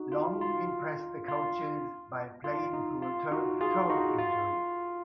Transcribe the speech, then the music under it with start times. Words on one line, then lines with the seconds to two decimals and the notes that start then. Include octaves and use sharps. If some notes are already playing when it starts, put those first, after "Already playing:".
Long impressed the coaches by playing through a turf toe injury.
Already playing: D#4 F#4
0.12 F4
0.41 F4
1.28 F4
2.44 F4
2.73 D#4
3.02 F4
3.31 D#4 F#4
3.61 F4 G#4
3.90 D#4 F#4
4.18 F4